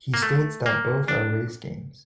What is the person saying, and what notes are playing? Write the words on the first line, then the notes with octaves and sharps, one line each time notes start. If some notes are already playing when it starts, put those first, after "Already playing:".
He states that both are race games.
A#3
A3
A#3
D4